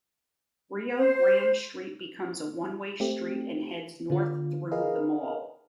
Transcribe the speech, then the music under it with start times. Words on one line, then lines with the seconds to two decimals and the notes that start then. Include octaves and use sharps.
Rio Grande Street becomes a one-way street and heads north through the mall.
0.96 C5
3.00 A3 C4 G4
4.10 D3 B3 F4
4.71 G#4 A#4 B4 D#5 F5